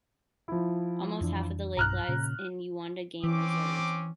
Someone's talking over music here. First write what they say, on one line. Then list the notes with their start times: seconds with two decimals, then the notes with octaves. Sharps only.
Almost half of the lake lies in Uwanda Game Reserve.
0.48 F3 E4
1.21 F2 E3 D4
1.77 B1 G2 A#5 F6 F#6
2.08 A#2 C#3
3.24 E3 C4 C#4 D6